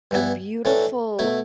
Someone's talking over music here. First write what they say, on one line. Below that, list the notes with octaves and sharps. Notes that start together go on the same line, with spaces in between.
a beautiful
G2 E3 B3 E4
A2 E3 A3 D4
B2 A3 E4